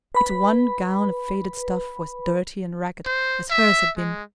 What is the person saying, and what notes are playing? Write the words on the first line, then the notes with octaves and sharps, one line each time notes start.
Its one gown of faded stuff was dirty and ragged, as hers had been.
B4 B5
C5
E5
G#3